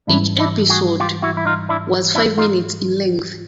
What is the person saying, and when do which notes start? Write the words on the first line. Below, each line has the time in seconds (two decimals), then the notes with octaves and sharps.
Each episode was five minutes in length.
0.07 G#2 E3 G3 D4 E4
0.39 D4 E4
0.69 F#4 G#4
1.00 F4 G4
1.22 E4 F#4
1.37 E4
1.45 D#4 F4
1.69 D4 E4
2.15 D4 E4
2.38 D#4 F4